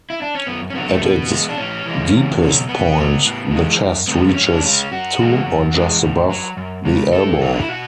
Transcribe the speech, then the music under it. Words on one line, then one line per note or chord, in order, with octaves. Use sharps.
At its deepest point the chest reaches to, or just above, the elbow.
E4
D4
C#4
F#2 B3
C#4
D3 F#3 B3
A3
B2 B3
G#3
D4
A2 C#4
E3 G#3
E2
B2 F#3
B2 B3
F#3
A2
E3 G#3
F#2
D3 G#3 B3
B3
G#2 C#4
D4
G#3 C#4
F#2 F#4
E3 G#3
F#2
E3 G#3
A2
F#3
F#2
C#3 G#3
A2 A4
F#3
D4
E4
B2 F#4